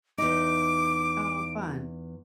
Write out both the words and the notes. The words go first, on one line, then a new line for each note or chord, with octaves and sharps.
Oh, fun.
E2 D#4 D6 D7